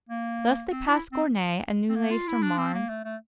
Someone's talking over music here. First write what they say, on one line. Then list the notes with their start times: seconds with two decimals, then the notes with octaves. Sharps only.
Thus they passed Gournay and Neuilly-sur-Marne.
0.09 A#3
0.72 C4
0.86 E4
1.13 C4
1.90 C4
1.96 A#3
2.11 F4
2.28 E4
2.42 D4
2.58 C4
2.74 A#3
2.89 A3
3.05 A3